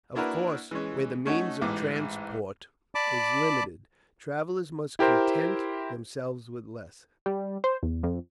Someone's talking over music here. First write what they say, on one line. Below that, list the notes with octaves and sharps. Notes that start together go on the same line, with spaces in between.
Of course where the means of transport is limited, travellers must content themselves with less.
A#3 D4 E4 F#4 A#4 B4
E3 G#3 C#4
A3 C#4 D#4 F#4
A1 G#2 E3 D6
D5 A5 B5 D6
E4 G4 A#4 C5
G3
C5
E2
F2